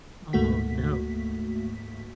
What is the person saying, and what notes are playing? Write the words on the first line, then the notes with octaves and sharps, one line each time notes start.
Oh, no.
D2 G#2 A3 A#3 F#4 B6